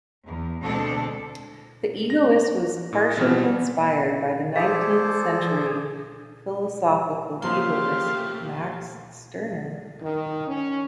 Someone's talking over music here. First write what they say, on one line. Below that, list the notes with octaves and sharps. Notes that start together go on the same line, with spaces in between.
"The Egoist" was partially inspired by the nineteenth-century philosophical egoist Max Stirner.
E2
D2 B2 G#3 C4 D4 A4
A#6
A2
B2 E3 F3 G3 C4 F6
G#4 A4 C5 D5 F5
C#3 F3 A3 A#3 G4 F5 C6
D#3
C#4